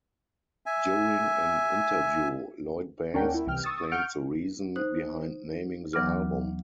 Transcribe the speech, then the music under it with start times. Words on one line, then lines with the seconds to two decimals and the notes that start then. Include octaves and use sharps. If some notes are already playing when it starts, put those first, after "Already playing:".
During an interview Lloyd Banks explained the reason behind naming the album.
0.66 E5 G#5
3.14 D#2 C#4 D4 A#4 F#5 G5
3.34 E4
3.47 C2 E3 G5 F6
3.64 C#6 D#6 E6 A6
3.91 F#5 C#6 F6 G6 C#7 D7
4.76 D#4 C5 F#6
5.93 D#2 E3 F#3 B3 D6 F6